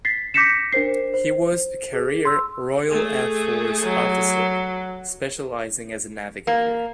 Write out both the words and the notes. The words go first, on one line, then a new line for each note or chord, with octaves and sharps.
He was a career Royal Air Force officer, specialising as a navigator.
A6 B6 C7
D6 G6 A#6 B6 C#7 E7
D4 A#4 C5 C7
C5
G#4
C6 E6
A3 G#4
F#3
A#3